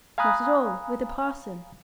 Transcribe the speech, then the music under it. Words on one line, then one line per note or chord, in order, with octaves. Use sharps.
"Not at all; with a parson."
F5 G#5 A#5 B5 D#6 F#6